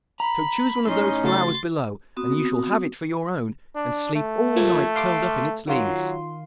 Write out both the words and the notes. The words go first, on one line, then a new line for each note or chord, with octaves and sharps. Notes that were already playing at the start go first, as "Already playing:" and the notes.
So choose one of those flowers below, and you shall have it for your own, and sleep all night curled up in its leaves.'
A#5 B5
A2 C#4 D#4 D#5 C6
C#3 A3 F#4 C6 A6
B3 C4 F#4 D#6
D4
A3
F3 A#3 G#6
F5 C6 D6
D#3 F#3 F4 C6